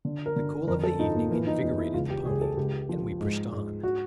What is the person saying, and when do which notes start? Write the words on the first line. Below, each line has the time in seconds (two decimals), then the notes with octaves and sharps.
The cool of the evening invigorated the pony, and we pushed on.
0.05 D3
0.26 A#4
0.36 D3
0.67 F2 A#4
0.84 A4
0.99 F3 D#4
1.15 A#3
1.31 E3 A#3
1.47 D#4
1.62 E2 D#4
1.78 E4
1.94 C#2 F4
2.10 G4
2.26 C#2 G#4
2.41 A4
2.57 C#2 G4
2.89 F3
3.21 G#2
3.52 G#2
3.83 F#4